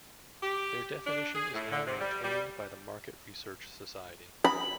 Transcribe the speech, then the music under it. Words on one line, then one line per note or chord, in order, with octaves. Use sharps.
Their definition is now maintained by the Market Research Society.
G4
D4
G#4
A2
D3
C3
G3
G3
B5